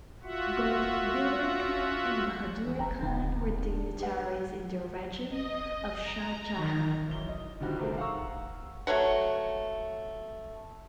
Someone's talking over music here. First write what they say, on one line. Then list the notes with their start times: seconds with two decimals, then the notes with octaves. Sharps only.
Both Dilir Khan and Bahadur Khan were dignitaries in the regime of Shah Jahan.
0.23 F4 F#4 E5 F#5
2.65 E2
2.79 F1 G5 A#5
3.00 D#1 C#2 G#2
3.70 D4
4.00 G4 B4 F#5
5.30 D#5
5.99 A#5
6.55 D#3
7.08 B1 E3 G7
7.29 D#5
7.60 D3 D#3 F3 G3 F#4 G4
7.79 C3 A3 C4 D#4 G#4 A#4
7.97 F5 F#5 A#5 C#6 E6
8.87 F#3 A3 C#5 F#5